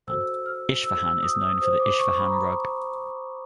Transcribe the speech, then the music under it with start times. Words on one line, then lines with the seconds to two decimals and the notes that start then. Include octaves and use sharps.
Isfahan is known for the Isfahan rug.
0.07 F#4 A4 C5 E6
0.46 F6
0.84 E6
1.04 E6
1.23 D#6
1.42 D#6
1.61 G4 C5 D#6
1.80 D6
1.99 C#6
2.18 B5
2.26 A#5
2.34 B5